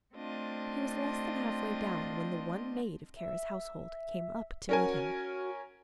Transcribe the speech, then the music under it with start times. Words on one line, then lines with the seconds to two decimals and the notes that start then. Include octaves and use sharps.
He was less than half-way down when the one maid of Kara's household came up to meet him.
0.14 A3 C4 D4 F4 D#5
3.16 E5
4.69 C#4 F#4 A#4 G#5